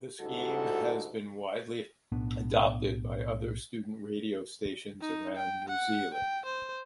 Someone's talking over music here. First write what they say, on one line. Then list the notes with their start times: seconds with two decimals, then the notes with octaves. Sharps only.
The scheme has been widely adopted by other student radio stations around New Zealand.
0.21 D2 G#2 G3 E4 F#4 A4
2.12 B1 A2 B3 D4
5.01 D#4
5.37 G5
5.69 F#5
6.14 G5
6.46 C5